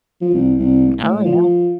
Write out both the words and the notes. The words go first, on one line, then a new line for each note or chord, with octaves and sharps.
Oh, yeah.
F3
C2
C2
A2
F3